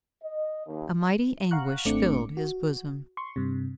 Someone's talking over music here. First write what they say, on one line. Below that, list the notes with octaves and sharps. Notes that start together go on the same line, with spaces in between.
A mighty anguish filled his bosom.
D#5
D#2
F5 F#5 A#5 C#6 F#6
G#1 A3 C4 D4 D6 C#7
F#4
C6 C#6
G2 C3